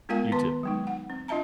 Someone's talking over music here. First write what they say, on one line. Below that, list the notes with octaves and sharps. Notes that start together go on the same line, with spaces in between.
You too.
G#3 B3 F4 A#4 F5 G#5
D#3 B3 B4 A5 C6
F#3 G#3 D#4
F#5
C4
D4 F4 D#5 E5 A5 A#5